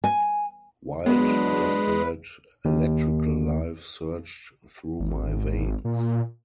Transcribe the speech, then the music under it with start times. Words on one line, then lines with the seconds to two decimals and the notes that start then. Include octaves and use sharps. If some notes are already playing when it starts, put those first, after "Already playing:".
Wild, desperate, electrical life surged through my veins.
0.04 G#5
1.06 E2 F#3 G#3 B3 D4 B4
2.65 D#2
5.00 G#1
5.84 A#2